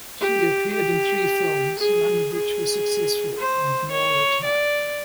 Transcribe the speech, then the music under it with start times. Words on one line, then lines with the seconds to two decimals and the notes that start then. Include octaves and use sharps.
She appeared in three films, none of which was successful, and Moore retired.
0.20 G4
0.73 G4
1.79 G#4
2.33 G#4
3.38 C5
3.91 C#5
4.44 D5